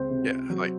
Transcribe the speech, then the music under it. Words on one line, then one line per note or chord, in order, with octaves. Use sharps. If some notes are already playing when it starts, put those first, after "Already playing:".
Yeah, like
Already playing: C#2 C4 C5
C3
F#3